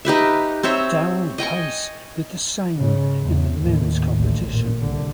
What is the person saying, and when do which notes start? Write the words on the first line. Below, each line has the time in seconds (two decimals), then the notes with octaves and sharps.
Darrell Pace did the same in the men's competition.
0.05 D#4 G4 B4 E5
0.63 C4 C5 C#5 E5
1.38 D#5 G5 G#5 C#6
2.78 G#2 C#3
3.21 E2 G#2
3.59 D#2 A2
4.12 A1 D2
4.52 A#2
4.83 C2 D3